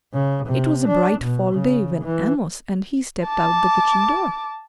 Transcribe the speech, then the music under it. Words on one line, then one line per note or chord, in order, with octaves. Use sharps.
It was a bright fall day when Amos and he stepped out the kitchen door.
C#3
C3
D4
B2
C#3
E3
A5 D6